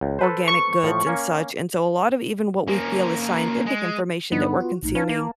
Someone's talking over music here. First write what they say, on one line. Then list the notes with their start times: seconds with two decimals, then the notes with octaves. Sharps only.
organic goods and such, and so a lot of even what we feel is scientific information that we're consuming
0.01 C#2
0.19 A4 B4 C5
0.48 C#6
0.83 A2 F3
1.06 A#3 C#4
2.68 A#3 C#4
3.66 G#3
4.32 G2 D3 B3 D4 D#4
4.60 F4 F#4
4.83 A#1 A2 D#4
4.95 C#4 B4 F5 A5
5.09 A#3